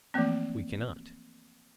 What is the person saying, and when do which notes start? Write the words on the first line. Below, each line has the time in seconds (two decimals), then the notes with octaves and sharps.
We cannot.
0.14 E3 F3 A3 A#3 C4